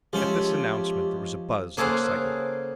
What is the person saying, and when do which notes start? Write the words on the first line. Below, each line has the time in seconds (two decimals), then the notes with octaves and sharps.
At this announcement there was a buzz of excitement.
0.13 F3 G#3 C#4 G4 E5
1.77 C#3 A#3 G#4 A4 C5 F#5